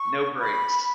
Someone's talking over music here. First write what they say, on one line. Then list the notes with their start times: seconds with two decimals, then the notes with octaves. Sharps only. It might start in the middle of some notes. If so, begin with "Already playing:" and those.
No breaks.
Already playing: C#6
0.40 B5